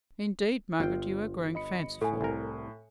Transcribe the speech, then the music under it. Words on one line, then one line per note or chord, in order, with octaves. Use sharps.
'Indeed, Margaret, you are growing fanciful!
G1 F4 G5
D#5 B5 C#7
A2 A4 G#5
C2 A#4